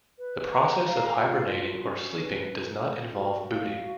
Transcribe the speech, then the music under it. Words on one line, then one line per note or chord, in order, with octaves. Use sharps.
The process of hibernating or sleeping does not involve booting.
B4
A#5
F5
F4
F#4
C#4
B4
C#4
A#4
F#4
F5
F#4